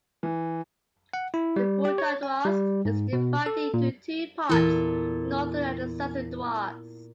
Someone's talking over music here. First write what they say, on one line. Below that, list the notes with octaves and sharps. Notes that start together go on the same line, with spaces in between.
The Bhutan Duars is divided into two parts: the northern and the southern Duars.
E3
F#5
E4
G3
G4
C#5
G#5
G3
G#2
B2
A4
A#2
E2 A#2 E4 A4